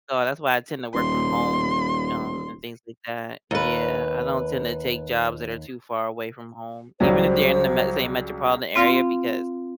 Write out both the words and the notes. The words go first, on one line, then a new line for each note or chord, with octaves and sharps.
So, that's why I tend to work from home, um, and things like that. Yeah, I don't tend to take jobs that are too far away from home, even if they're in the m same metropolitan area because
D#1 C6
D#2 B4
C#2 F#3 G3 C5
C4 F4 F5 C6